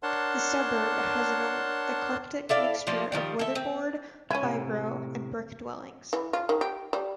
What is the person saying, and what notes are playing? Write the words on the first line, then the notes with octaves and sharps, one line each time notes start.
The suburb has an eclectic mixture of weatherboard, fibro and brick dwellings.
D4 A#4 C#5 F#5 A5 C6
E4 A4 D5 F5
F3 G3 A3 A#3
D#3 F3 G3
A4 E5
C4
C#2 C#4 E4 G#5
A2 C3
E3
F4
D#3
G4
G3